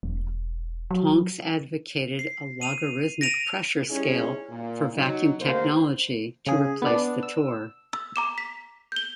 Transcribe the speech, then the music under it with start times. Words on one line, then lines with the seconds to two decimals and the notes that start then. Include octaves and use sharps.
Tonks advocated a logarithmic pressure scale for vacuum technology to replace the torr.
0.03 E1
0.91 F#3
2.19 C7
2.61 D#7 F7
3.21 A#6 D7 D#7 F7
3.90 G3 C#4 D#4 E4 G#4
4.50 A#2
4.95 F#3 D#4
5.42 D#2 D3 A3 A#3 C5
6.47 C#3 G#4
6.82 B3 D4
7.23 E6
7.93 E6
8.16 A#5 D6 E7
8.38 B6
8.92 G6 G7